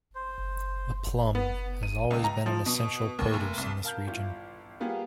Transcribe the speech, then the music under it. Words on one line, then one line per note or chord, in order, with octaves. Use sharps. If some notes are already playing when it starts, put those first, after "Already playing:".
The plum has always been an essential produce in this region.
C5
B3
D#7
C#2
A#5
F3
B2
D#2
F1
C2
A#4 F5 A5 F6 G6
G1 E4 F4
G3 A#3 B3 F4 G4 G#4